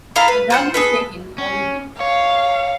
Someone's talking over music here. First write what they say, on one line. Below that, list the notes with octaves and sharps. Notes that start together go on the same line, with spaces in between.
The drug was taken orally.
E4 A4 F5 A#5
B4
F4 C5 F#5
G#4 A4 B4
C#4
C#5 F5